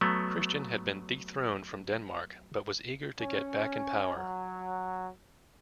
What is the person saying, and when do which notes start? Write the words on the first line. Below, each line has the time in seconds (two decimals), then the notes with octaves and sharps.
Christian had been dethroned from Denmark, but was eager to get back in power.
0.01 F#3 A3 B3
3.20 C#4
4.15 F#3